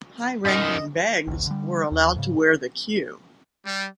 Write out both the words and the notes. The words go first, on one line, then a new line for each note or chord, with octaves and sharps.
High-ranking Begs were allowed to wear the Queue.
F#2 D#3 D#5
A1 D2
D3 G3
D#2
G#2 C#3
G3